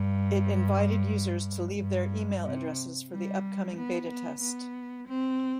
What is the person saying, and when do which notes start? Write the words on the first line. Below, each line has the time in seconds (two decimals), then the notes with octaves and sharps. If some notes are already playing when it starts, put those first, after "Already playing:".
It invited users to leave their email addresses for the upcoming beta test.
Already playing: G2
1.81 G2
2.46 C3
3.12 G3
3.77 B3
4.09 B3
4.41 B3
5.07 C4